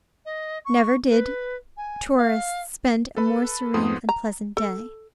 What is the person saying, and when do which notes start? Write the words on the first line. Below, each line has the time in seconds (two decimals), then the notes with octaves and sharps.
Never did tourists spend a more serene and pleasant day.
0.25 D#5
0.65 C#6
1.09 B4
1.77 G#5
2.17 F5
3.16 A4 B4 B5
3.74 F2 G#2 B3 C6 D#6
4.09 A#5
4.57 A4